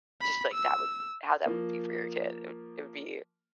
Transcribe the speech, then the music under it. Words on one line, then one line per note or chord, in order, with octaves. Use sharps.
just, like, that would how that would be for your kid. It would it would be
B5
E6
F3 A#3